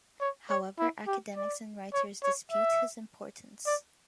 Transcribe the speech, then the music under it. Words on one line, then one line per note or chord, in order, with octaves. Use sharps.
However, academics and writers dispute his importance.
C#5
C#5
E4
G4
D5
C#5
C#5
E5
D5